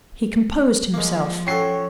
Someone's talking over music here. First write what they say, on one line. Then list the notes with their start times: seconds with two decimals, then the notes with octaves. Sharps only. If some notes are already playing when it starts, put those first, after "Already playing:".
He composed himself.
0.94 F3 G#3 A#3
1.47 C#4 F#4 A4 C#5 G5 C7